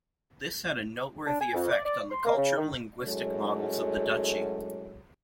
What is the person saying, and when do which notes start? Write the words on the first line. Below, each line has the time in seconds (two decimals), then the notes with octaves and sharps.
This had a noteworthy effect on the cultural linguistic models of the Duchy.
1.27 D4
1.41 G#5
1.55 F2
1.71 D5
1.85 D5
2.10 C6
2.25 A#3
2.37 C#3
2.58 D#3
3.03 F#2 A2 F#3 G#3 A4 C#5